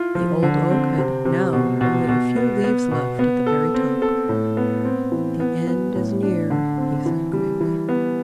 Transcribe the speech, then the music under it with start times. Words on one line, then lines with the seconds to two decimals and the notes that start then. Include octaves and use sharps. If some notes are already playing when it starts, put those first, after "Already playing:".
The Old Oak had now only a few leaves left at the very top. "The end is near," he said gravely.
Already playing: E4 F4
0.15 F3
0.43 D3
0.70 C4
0.98 C3
1.25 C3
1.53 B2
1.81 B2
2.09 B2
2.36 B3
2.64 B3
2.91 B2
3.19 B3
3.46 A4
3.74 C4
4.02 A4
4.29 A2
4.57 B3
4.85 C4
5.12 E3
5.40 B3
5.67 B3
5.95 A2
6.23 D4
6.50 D3
6.78 C4
7.06 E3
7.33 G3
7.61 E3
7.89 B3